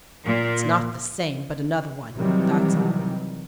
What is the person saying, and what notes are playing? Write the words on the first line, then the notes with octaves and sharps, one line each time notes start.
"It's not the same but another one; that's all."
A#2
C3 D#3 E3 F#3 G3